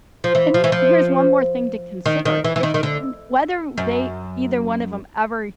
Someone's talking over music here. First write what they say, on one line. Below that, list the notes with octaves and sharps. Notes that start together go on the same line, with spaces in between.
And, here's one more thing to consider. I it's it whether they either one of 'em ever
F3
E3
F3
E3
F3
D#3
D#3
E3
E3
D#3
D#3
D3
F#2